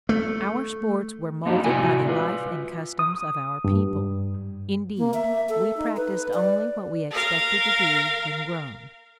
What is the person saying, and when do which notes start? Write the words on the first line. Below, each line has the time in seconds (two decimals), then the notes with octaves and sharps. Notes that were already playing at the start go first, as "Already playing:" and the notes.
Our sports were molded by the life and customs of our people; indeed, we practiced only what we expected to do when grown.
0.09 A3
1.46 F3 A#3 D4 D#4 F#4 G4
1.64 A2 C3 E4 F#4 D5 G#5
2.08 F4 B4
2.99 D#6
3.64 G2
4.98 A#3
5.14 E5
5.49 A4
5.77 D#4
5.97 B4
6.34 D5
7.11 A#4 F5